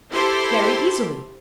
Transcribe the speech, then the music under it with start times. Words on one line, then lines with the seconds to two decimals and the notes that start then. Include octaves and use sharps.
"Very easily."
0.11 E4 G4 A4 C5